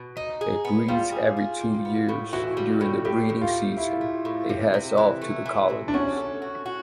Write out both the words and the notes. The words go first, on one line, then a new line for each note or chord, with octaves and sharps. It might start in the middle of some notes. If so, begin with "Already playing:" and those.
It breeds every two years. During the breeding season it heads off to the colonies.
Already playing: B2
D#4
G#4
B3
G3 F4
G#4
G#4
G3
B3
A2
E3 F#4
G3
A2
A2 G4
A2
F4
A3
A2 E4
A3
A2
C3
C3
E3
A3
E3
C3
D4
C#4 F#4
A4
F#4
F#4